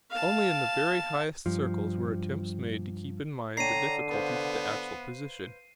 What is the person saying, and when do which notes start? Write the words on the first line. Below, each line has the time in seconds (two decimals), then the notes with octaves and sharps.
Only in the very highest circles were attempts made to keep in mind the difficulties of the actual position.
0.10 F5 A5
1.46 G2 F3
3.57 D3 D4 C#5 G5 A#5 C7 D#7
4.11 B3 B4 C5 F5